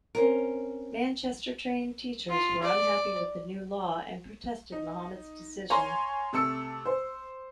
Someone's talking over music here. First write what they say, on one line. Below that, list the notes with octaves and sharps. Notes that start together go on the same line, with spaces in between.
Manchester-trained teachers were unhappy with the new law and protested Mohamad's decision.
C4 C#4 A#4
F4
D5
D#4
C#5 F5 G#5 A#5 C6
C3 A3 A5 E6 C#7
C5